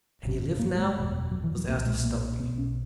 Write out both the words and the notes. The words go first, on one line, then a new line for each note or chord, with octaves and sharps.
"Can he live now?" was asked of Stumpy.
G#1 F#2 C#3
A#3
G#3
F#1 E2 B2
F#3
E3
F#3
B1 A#2 A#3
G#3
A#3
B1 B2 B3
C#4